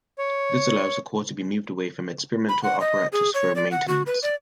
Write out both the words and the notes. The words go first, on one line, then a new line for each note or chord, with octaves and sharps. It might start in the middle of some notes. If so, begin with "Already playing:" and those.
This allows the core to be moved away from experimental apparatus for maintenance.
C#5
B5
F#5
D#5
G#4
C#5
D5
F#5
F#4
B4
D5